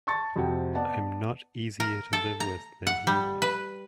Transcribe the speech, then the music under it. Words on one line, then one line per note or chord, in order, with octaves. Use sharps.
I'm not easier to live with than he was.
A5 C#6 A6
F2 C3 F#4 G5
B3 D5 D#5 F#5 A5
A#4
A4
A#5
F#5
G3
B4